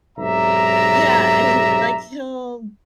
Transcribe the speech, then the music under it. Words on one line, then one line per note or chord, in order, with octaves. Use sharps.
Yeah, I mean, like, he'll
B1 G#2 C3 D5 E5 A#5